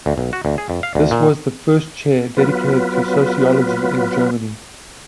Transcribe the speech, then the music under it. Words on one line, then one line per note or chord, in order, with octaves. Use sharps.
This was the first chair dedicated to Sociology in Germany.
D2
B1
F#4
D2
G#4
F2
F5
D2
A#2
F#3 B3 F4 B4